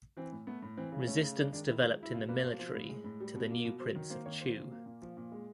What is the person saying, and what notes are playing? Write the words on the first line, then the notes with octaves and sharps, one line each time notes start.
Resistance developed in the military to the new prince of Chu.
E3 C4
A2
A3 B3
A2
E3 C4
C#3
A3 C#4
C#3
G#3 D4
D#3 D4
D#3 E4
G#3 F4
F#3 E4
B2 F4
A#3 B4
B2 C5
F3 C5
A2
G#3
A2
G3
B2
A#3
B2
F#3 C5
D#3
A#3 C5
D#3 C#5
F#3 C5
A#2
A#3
A#2
F3
A#2
G#3